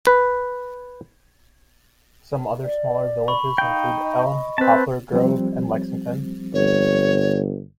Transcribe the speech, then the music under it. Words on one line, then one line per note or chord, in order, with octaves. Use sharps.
Some other smaller villages include Elm, Poplar Grove and Lexington.
B4
D5
B5 C#6
D#4 F5 G5
D#5
C4 B4 A5
F3 G3 C4
G1 C#5